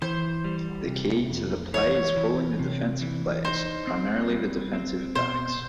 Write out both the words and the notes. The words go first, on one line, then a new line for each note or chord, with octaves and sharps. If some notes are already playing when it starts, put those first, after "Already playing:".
The key to the play is fooling the defensive players, primarily the defensive backs.
E3 C5
G3
C3
F2
E3 C#5
E3
C3
E3
D#4 C5
C4
G3
C4
B2 C5